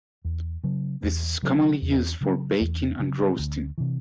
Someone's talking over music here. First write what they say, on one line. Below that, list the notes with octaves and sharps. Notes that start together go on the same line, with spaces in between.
This is commonly used for baking and roasting.
E2
C#3 F#3
E2
C#3 F#3
E2
C#3 F#3
E2
C#3 F#3
D2
C3 E3